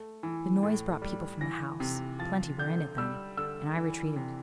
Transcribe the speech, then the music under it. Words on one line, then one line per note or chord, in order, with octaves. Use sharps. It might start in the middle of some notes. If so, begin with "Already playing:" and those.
The noise brought people from the house--plenty were in it then--and I retreated.
Already playing: A3
E3
A2
G3
E3 A#6
C3
F3 A6
D3 G6
G3 E6
D3 E6
E3
C3